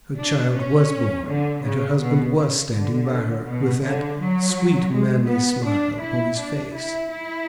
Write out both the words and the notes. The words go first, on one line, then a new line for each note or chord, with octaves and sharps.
Her child was born, and her husband was standing by her with that sweet manly smile upon his face.
D4
C#4
D3
C#3
B2
C#3
D3
B2
D3
F#3
G#3
B3
D4
E4
D4
E4
E4